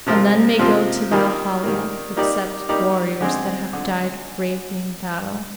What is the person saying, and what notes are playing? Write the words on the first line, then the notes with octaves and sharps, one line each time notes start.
But none may go to Valhalla except warriors that have died bravely in battle.
C3 F3 C4 F4 A#4
C3 F3 C4 F4 A#4
D#3 G3 A#3
D#3 G3 A#3
G3 A#3 D#4 G4 D5
G3 A#3 D#4 G4 D5
D3 G#3 C4
D3